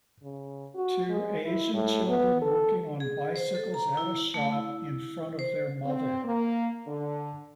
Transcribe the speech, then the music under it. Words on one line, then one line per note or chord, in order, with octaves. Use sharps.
Two asian children working on bicycles at a shop in front of their mother.
C#3
F#4
G#3
E4
A2
B3
A4
G#4
C5
A4
A#5
E4
A3
E4
C5
C4
A#3
D3